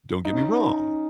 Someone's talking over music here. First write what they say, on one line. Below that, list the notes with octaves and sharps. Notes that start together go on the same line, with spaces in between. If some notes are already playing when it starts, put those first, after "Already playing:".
don't get me wrong,
D#4
C#4